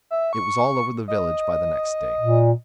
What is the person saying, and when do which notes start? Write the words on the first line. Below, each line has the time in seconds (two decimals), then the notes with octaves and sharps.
It was all over the village by the next day.
0.11 E5
0.33 C#6
1.08 D#5
2.21 A#2